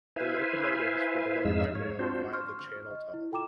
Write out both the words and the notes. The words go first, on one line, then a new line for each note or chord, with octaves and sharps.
The locomotives were delivered by rail via the Channel Tunnel.
E4 B4 C5 E5 F5 G#5
F2 G#2 G#3 D#4 F5 E6
G#2 C#5
C4 D4 F4 F#4 C5
C6 C#6 F6
F6
D#5
E4
F4 A4 G5 A#5 D6 E7